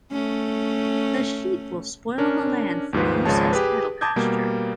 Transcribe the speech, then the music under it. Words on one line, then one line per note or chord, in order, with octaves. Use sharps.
The sheep will spoil the land for use as cattle pasture.
A3 C#4
C#4 D4 A#4
D#2 G#2 F3 B4
G#1 C#2 F3 G#3 C#5 A5
G4 G#4 B4
A5 D6 D#6 G6 G#6
B2 G3 A#3